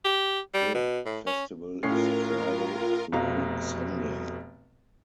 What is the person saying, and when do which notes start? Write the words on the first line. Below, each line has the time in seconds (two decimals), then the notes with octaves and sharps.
The festival is Friday through Sunday.
0.05 G4
0.54 G3
0.74 B2
1.05 A2
1.27 C#4
1.83 A2 C#4 F4 A#4 C7
3.12 F1 B2 A3 F5 A#5